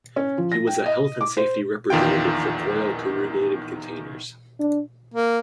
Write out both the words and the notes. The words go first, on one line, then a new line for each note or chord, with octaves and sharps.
He was a health and safety representative for Coyle Corrugated Containers.
C#4
F3
A#6
G5
D#5
D6
C5
A#1 E2 D#3 F4 G5
D4
A#3